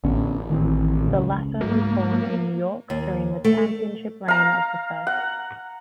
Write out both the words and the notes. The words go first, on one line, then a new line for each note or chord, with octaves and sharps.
The latter was born in New York during the championship reign of the first.
A1 D3 B3 C#4
D#3 E3 C4
C#2 C#3
G#2 F#3 A#3
D#2
A3
F5 A#5
F#5